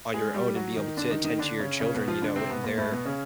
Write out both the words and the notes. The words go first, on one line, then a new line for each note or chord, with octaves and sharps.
on your own and be able to attend to your children, you know, in their
G#3 G#4
G3 G4
F#3 F#4
D#3 D#4
D3 D4
D#3 D#4
D#3 D#4
D3 D4
C#3 C#4
C#3 C#4
B2 B3
F3 F4
D3 D4
C3 C4
B2 B3
A#2 A#3
A2 A3
B2 B3
C#3 C#4